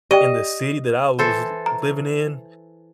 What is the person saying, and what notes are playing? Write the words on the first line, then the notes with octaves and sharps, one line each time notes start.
in the city that I was l living in,
G4 D5 D#5 G5
E3 A4 C5
A#5